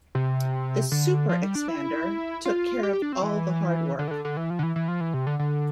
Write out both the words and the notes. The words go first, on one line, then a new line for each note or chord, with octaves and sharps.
The "Super Expander" took care of all the hard work.
C3
D3
F3
G3
D4
E4
F4
G4
G4
D4
C4
E3
D3
E3
D3
D3
E3
F3
D3
E3
E3
F3
E3
C3
D3
D3